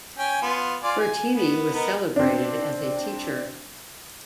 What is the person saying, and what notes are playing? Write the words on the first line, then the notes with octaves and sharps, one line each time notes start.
Bertini was celebrated as a teacher.
C#4 G5 G#5
B3 F4
F4 D5 G#5
G#5
B3
B3 D#4 A#4
C4 D4